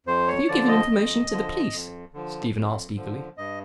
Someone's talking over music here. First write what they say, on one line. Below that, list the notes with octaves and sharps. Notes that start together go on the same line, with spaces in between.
"Have you given information to the police?" Stephen asked eagerly.
F2 C5
C#5
D3 F3 D5
D#5
F2
D3 F3
F2
D3 F3
F2
D3 F3
G2 D#5